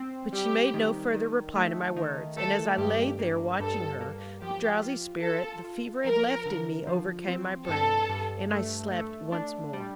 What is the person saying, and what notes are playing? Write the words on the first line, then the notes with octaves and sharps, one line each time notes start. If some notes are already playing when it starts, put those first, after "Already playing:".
But she made no further reply to my words; and as I lay there watching her, the drowsy spirit the fever had left in me overcame my brain, and I slept once more.
Already playing: C4
G3 G4
D#3
D#3
A3
D#3
A3 A4
G2 G4
A#3
G2 A4
A#3
F3 G4
F4
F4 A4
F4
F3 A#4
D3
F3
C4
G2 A4
G2
A3
A3
D4
G3